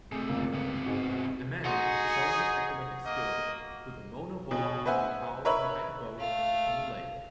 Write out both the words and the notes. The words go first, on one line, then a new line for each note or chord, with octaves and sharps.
A man showing his acrobatic skill with a monoboard being towed behind a boat on a lake.
C3 A3 G#4
G1 C#2 A#3
C3 B3
G#2 G#3 F#4
D#4 F#4 G#4 F#5 C6
A#3 D#5
B2
B4 C5 E5 F#5 G#5
A#4 B4 C#5 E5 B5
A3 F5